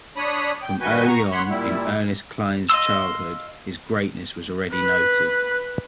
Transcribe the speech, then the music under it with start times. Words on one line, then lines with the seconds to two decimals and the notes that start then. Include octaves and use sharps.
From early on in Ernest Klein's childhood, his greatness was already noted.
0.17 D4 C#5 B5 D#6
0.63 G5
0.80 G2 D#3 F#4 B4 G#5 G6
1.07 A#5 C#6
1.32 C#5 F#5 B5 C6
1.49 A#2 G3 E4
2.70 D#5 F5 C6 E6
4.73 B4